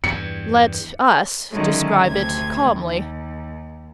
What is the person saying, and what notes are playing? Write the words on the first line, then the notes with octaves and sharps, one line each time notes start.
Let us describe it calmly.
E2 G2 C#7
D3 D#3 F#3 G#3 A3 C#4
D2 C3 G#6
D#2